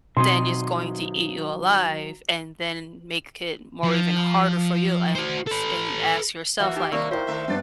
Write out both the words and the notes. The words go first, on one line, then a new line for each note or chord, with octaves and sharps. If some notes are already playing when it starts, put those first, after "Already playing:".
then it's going to eat you alive, and then, make i it more even harder for you and s and ask yourself, like,
B2 D#3 F#3 C4 D#5 C6
F3
F#4 C5
A4 B4
E3 A#3 F#4 E5 D6
D#4 G4 F#5
D#2 C3 G3 A#3 D5 C#6 E6
A#2 E4 A#4 C5 D5 F5 G5
D#3 A3 E5
G2 B3 C4 D4 A6